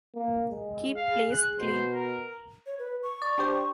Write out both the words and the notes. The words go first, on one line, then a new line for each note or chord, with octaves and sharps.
Keep place clean!
A#3
G#3
G#4 F5
F#6
B2 C5
A#4
C#5
B4
C#6
D5
D4 G4 C5